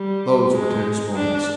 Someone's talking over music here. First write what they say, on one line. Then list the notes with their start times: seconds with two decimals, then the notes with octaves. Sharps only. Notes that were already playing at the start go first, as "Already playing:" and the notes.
Those were tense moments.
Already playing: G3
0.51 G#3
1.15 D4